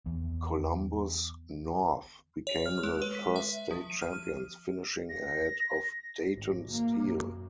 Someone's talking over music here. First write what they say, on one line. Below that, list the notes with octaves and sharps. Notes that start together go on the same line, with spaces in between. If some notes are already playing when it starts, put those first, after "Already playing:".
Columbus North became the first state champions, finishing ahead of Dayton Steele.
E2
C#5
F6
G#3
B4
B6
E5
F3
D#7
F6
A#6
G#1
A#3
F#2